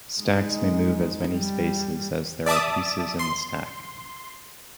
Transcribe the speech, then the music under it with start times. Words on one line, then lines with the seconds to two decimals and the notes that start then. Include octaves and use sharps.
Stacks may move as many spaces as there are pieces in the stack.
0.20 G#3 D#4
1.28 G3
2.46 D5 E5 A5 D6 D#6
3.19 C6